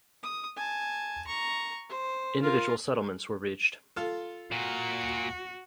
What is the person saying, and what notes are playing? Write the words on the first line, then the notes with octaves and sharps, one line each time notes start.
Individual settlements were reached.
D#6
G#5 A5
A#5 C#6
C5
F4 A#4
F4 A4
A#2 F#4